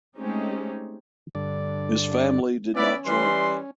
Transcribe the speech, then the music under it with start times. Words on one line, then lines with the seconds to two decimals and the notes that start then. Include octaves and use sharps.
His family did not join him.
0.19 G#3 A3 C4 C#4 D#4 G4
1.35 G2 D3 D5
2.75 B3 C#4 E4 D5
3.05 E3 G3 C6